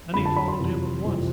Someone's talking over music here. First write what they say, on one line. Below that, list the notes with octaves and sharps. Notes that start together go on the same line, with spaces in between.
Many followed him at once.
F2 D3 F3 B5
A5
B5
C6
F2 C3 E3 G3
F2 C3 E3 G3